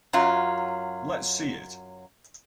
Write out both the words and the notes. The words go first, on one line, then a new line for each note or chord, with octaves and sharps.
Let's see it!
F#2 F#3 F4